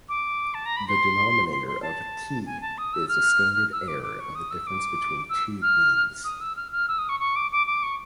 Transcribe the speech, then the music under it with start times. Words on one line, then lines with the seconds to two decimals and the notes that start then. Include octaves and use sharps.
The denominator of "t" is the standard error of the difference between two means.
0.09 D6
0.54 A5
0.66 A#5
0.77 B5
0.88 C6
1.52 C6
1.67 C6
1.82 A5
2.46 G#5
2.62 A5
2.78 D#6
2.94 E6
3.09 F6
3.72 E6
3.88 D6
4.03 D6
4.20 C#6
4.35 D#6
4.51 E6
4.67 D6
5.29 E6
5.62 F6
6.24 D#6
6.41 E6
6.56 F6
6.72 F6
6.88 E6
6.98 D#6
7.09 C#6
7.20 C#6
7.36 D6
7.52 D6
7.67 D6
7.83 C#6